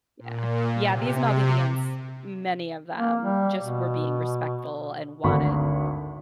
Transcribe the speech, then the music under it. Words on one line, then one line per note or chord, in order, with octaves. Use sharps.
yeah. Yeah, these Maldivians, many of them, just were being respectful and wanted
A#2
C3
A#3
G3
B2
G#1 D2 B5 C#6